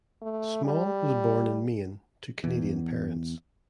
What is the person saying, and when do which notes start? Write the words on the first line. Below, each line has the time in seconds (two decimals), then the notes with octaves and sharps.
Small was born in Maine to Canadian parents.
0.22 A3
0.64 G3
2.44 E2